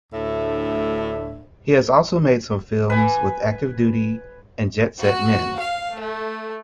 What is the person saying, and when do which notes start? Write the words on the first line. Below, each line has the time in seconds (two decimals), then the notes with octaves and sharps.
He has also made some films with Active Duty and Jet Set Men.
0.13 D2 A2 D4 E5
2.90 B4 G#5
5.00 F#4
5.57 F5
5.96 A3